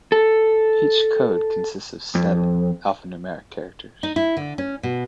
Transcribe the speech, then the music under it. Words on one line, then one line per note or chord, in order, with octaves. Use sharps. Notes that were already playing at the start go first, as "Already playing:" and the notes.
Each code consists of seven alphanumeric characters.
A4
F2
D#4
E4
D3
C#4
B2